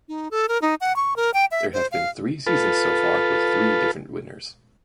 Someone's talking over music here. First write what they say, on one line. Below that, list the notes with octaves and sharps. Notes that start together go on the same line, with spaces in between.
There have been three seasons so far with three different winners.
D#4
A4
A#4
D#4
F#5
C#6
A#4
G5
E5
C5
F5
F4 A4 B4